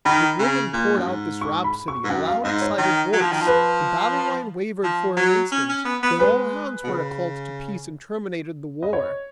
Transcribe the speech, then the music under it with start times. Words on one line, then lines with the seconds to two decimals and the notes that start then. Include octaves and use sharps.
The woman poured out this rhapsody in a loud excited voice, the battle-line wavered for an instant, then all hands were recalled to peace and terminated the war.
0.05 D#3 B5
0.39 C#3
0.73 A#2
0.97 F#2
1.08 G#2
1.41 C#6
1.64 B5
1.88 C#6
2.04 G#2
2.10 F#2 F#5
2.27 F5
2.44 G#2 D#5
2.62 C#5
2.78 D#3
3.13 F#3
3.21 F3
3.32 D#3
3.41 F3
3.47 B4
4.83 F3
5.17 F#3
5.52 C#4
5.69 C#4
5.85 B3
6.03 B3
6.19 G#3 B4
6.84 B2
6.88 C#3
8.83 D#5
8.93 C#5